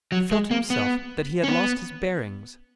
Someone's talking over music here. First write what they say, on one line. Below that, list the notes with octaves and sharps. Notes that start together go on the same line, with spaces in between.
He felt himself that he had lost his bearings.
F#3
G#3
A#3
B3
C#4
B3